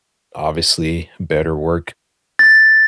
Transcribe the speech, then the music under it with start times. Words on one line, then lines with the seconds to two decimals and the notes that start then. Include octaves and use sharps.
obviously, better work,
2.39 A6